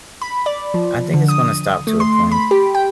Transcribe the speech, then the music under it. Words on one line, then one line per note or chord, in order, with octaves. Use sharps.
I think it's gonna stop to a point
B5
D5
F3
D3
D#6
A3
C6
B5
G4
G5